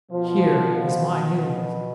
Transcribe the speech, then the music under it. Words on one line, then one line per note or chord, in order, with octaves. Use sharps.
Here is my news.
B2 F3